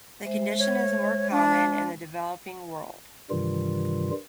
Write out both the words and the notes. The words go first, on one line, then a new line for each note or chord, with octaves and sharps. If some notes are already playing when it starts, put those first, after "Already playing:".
The condition is more common in the developing world.
G#3 C5 E5
C#5
D4
G2 C3 D#3 E3 G3 F4